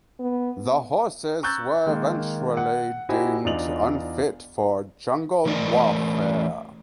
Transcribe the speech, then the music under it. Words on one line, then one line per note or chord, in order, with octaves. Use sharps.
The horses were eventually deemed unfit for jungle warfare.
B3
A#5 C#6 E6 F#6 G6 A6
D#3 G#3 A#3
F#5
D#4 E4 F#4 G4 C5 G#5
E2 D4 D#4 F4 F7 F#7
E3 A3 A#4 D5 D#5